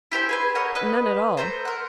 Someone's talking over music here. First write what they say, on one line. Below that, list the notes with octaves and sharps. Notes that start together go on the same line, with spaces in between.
"None at all."
E4 G4 C5 G#5
G#4 B4 G#5
A#4 C#5 D#5 F#5
B4 D#5 F#6
A3 C4 C5 A#5
A#4 F#5